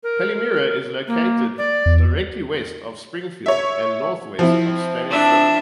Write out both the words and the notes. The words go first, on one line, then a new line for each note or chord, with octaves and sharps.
Palmyra is located directly west of Springville and northwest of Spanish Fork.
A#4
A#3
D5
E2
C#5 E5
F3 C4 E4
D4 E5